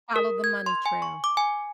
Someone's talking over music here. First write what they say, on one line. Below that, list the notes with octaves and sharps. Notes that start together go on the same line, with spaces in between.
Follow the money trail.
A#4
G#6
C6
G#5
C#6
D6
G#5